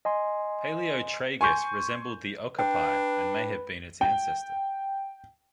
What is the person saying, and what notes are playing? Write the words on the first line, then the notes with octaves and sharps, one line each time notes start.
"Paleotragus" resembled the okapi and may have been its ancestor.
D#5 G#5 C6
G#5 C6 C#6 G6
D4 B4 G5
G5